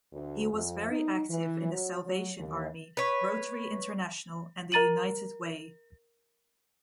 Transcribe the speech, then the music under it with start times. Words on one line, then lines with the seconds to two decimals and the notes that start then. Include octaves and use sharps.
He was very active in the Salvation Army, Rotary International and the United Way.
0.13 D2
0.52 F2
0.90 D#4
1.29 E3
1.73 F#3
2.05 F#3
2.37 D#2
2.97 B4 C#5
4.72 A#4 A#5 A6 D#7 F#7